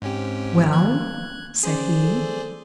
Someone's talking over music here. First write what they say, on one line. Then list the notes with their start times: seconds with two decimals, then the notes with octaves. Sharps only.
"Well?" said he.
0.02 G#2 C4 C#4 G4
0.73 A#3 F#6 G#6
1.63 C#4 G#4 C5 D5
2.02 A4